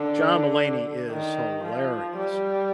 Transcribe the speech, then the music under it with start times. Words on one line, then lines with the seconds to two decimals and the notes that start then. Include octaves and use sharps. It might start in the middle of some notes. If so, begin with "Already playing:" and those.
John Mulaney is hilarious.
Already playing: D3
1.10 D#3
1.64 F3
2.17 G3